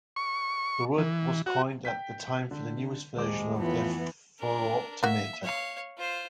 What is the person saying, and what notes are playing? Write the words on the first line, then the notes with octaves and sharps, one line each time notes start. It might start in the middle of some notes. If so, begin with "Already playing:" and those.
The word was coined at that time for the newest version of their phoro-optometer.
C#6
E3
F#4
G5 G6 B6
D3
D#1 G#3 D6
F2 A2 E3 B3 F4
D4 A#4
A#3 F#4 E5
C#5 F5
F4 C5